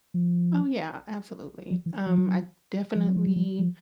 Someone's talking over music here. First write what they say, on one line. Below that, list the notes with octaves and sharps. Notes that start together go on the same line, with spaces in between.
Oh, yeah. Absolutely. Um, I definitely
F3
F3
E3
F3
F#3
F3
F#3
F3
F#3
F3
F3